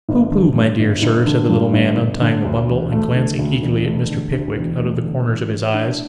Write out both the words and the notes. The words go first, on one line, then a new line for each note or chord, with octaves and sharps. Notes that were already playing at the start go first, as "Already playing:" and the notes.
'Pooh, pooh, my dear Sir,' said the little man, untying the bundle, and glancing eagerly at Mr. Pickwick out of the corners of his eyes.
G1
D3
G2
G1
G1
D3
G2
G1
G1
D3
D2
E1
A3
D3
D2
E1
A3
D3
D2
E1
A3
D3
E3
A2
D4